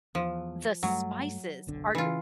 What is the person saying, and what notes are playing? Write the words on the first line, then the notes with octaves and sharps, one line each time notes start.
the spices are,
E2 F3
G2 F#3 G3 A3
F#1 B1 D3
C#3 E3 F4